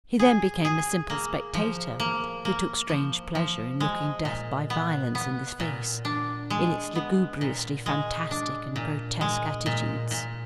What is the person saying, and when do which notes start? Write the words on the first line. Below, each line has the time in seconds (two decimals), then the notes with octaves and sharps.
He then became a simple spectator, who took strange pleasure in looking death by violence in the face, in its lugubriously fantastic and grotesque attitudes.
0.19 G#4
0.65 G#4
1.10 A#3
1.54 F3
2.00 A#3
2.45 A#3
2.89 F3
3.35 F3
3.80 G#3
4.25 A#2
4.70 B3
5.15 B3
5.60 A#2
6.05 D4
6.50 G#3
6.95 B3
7.41 A#2
7.86 G#3
8.31 D4
8.76 A#2
9.21 G#3
9.66 A#2
10.11 A#2